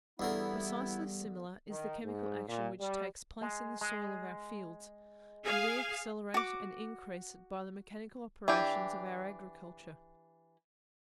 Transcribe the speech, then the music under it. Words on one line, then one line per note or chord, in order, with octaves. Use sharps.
Precisely similar is the chemical action which takes place in the soil of our fields; and we accelerate and increase it by the mechanical operations of our agriculture.
E2 D3 G3 B3 E4 A#4
D#3
G#2
A#2
G3
G#3
G#3
G#4 F5 G#5
F#4 D6
E3 D4 G4